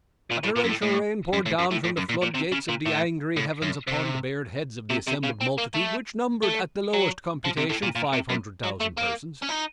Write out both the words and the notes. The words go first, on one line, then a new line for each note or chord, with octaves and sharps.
A torrential rain poured down from the floodgates of the angry heavens upon the bared heads of the assembled multitude which numbered at the lowest computation five hundred thousand persons.
A#2
A2
A#2
F#2
A2
A2
F#2
A2
F#2
A2
A2
F#2
A#2
A#2
C3
C#3
A#2
A2
A2
F#2
C3
C3
C3
C#3
C4
A#3
A3
A3
F#3
F3
C3
A2
A#2
A#2
C3
F#2
F#3
A3
A#3
C#4
D#4